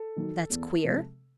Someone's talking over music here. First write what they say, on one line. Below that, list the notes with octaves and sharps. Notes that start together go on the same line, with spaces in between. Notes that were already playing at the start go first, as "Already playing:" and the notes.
"That's queer."
Already playing: A4
D#3 F#3
E2
C3 F3 G#3